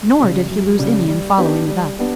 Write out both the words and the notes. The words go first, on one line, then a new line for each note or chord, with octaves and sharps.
Nor did he lose any in following it up.
C#3 G3
F#2
C#3 G3
G3
B3 D4 G4
G3
B3 D4 G4